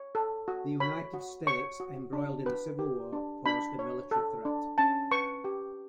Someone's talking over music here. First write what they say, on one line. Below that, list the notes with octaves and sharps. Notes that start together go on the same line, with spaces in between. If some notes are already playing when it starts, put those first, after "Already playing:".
The United States, embroiled in the Civil War, posed a military threat.
Already playing: C#5
A4
F#4
C#5 B5
F#4
C#5 C#6
F#4
D4
B4
G4
D4
D4 B5
C#5
A4
D4
C#4 A5
B4 C#6
G4